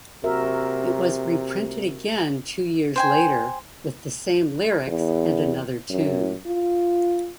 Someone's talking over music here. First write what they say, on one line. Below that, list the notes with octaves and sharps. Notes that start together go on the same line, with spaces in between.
It was reprinted again two years later with the same lyrics and another tune.
C3 F#4 A#4 E5
C5 G5 G#5
E2
F#2
F4